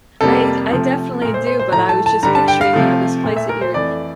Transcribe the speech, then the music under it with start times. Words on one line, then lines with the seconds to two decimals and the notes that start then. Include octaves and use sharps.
I d I definitely do, but I was just picturing, you know, this place that you're,
0.21 F2 C3 G3 A#3 A4
0.71 C3 F3 A3
1.22 A#2 A3 A#4
1.34 C5
1.47 C5
1.59 C5
1.72 A2 F3 A3 A#5
1.89 A5
2.06 A5
2.23 G2 D3 G3 A#5
2.35 A5
2.48 G5
2.61 F5
2.73 C3 F3 A3
3.24 A#2 A3
3.37 E5
3.49 A#4
3.61 C5
3.74 F2 E3 A3 D5